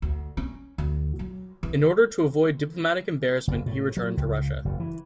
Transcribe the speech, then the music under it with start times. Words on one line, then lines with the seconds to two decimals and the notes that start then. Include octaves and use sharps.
In order to avoid diplomatic embarrassment he returned to Russia.
0.02 D2
0.37 C#4
0.78 D2
1.19 F#3
1.63 E3
3.47 F#1
3.66 A2
3.97 F#3
4.17 C#2
4.65 F#1
4.80 E3